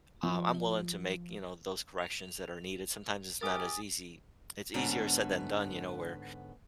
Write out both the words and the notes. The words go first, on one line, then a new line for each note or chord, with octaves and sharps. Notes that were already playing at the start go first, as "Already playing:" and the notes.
um, I'm willing to make, you know, those corrections that are needed sometimes it's not as easy. It's easier said than done, you know, where,
F3
F7
C3 G4 A#4 G#5 D#6 A6
G#2 D3 B3 C#4